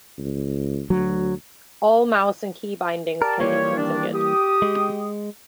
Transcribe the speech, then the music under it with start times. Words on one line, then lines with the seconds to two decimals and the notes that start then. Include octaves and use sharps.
All mouse and key-bindings can be configured.
0.18 C#2
0.90 D2 F#3
3.22 G4 A#4 D5 A5
3.40 E3 G3 A#3 F4 G4 C#5
3.77 D#3 D4
4.14 G4 D#6
4.62 G#3